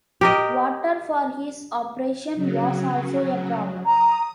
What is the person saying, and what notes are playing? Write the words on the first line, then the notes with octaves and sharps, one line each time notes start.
Water for his operation was also a problem.
G4 A#4 D#5
C#3 F#3
A#5 D#6